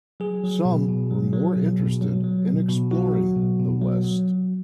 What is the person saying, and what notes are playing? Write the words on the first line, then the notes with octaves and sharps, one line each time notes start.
Some were more interested in exploring the West.
F#3 G#4
F#3
B2
B2
F#3
F#3
B2
B2
F#3
F#3
B2
B2
F#3 F#4
F#3
B2
B2
F#3
F#3